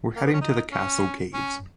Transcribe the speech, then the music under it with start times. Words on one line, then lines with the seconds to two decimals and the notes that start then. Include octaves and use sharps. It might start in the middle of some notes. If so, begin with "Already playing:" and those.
We’re heading to the castle caves.
0.16 A#3
0.25 B3
0.33 C#4
0.41 D#4
0.72 C#4
1.34 C#4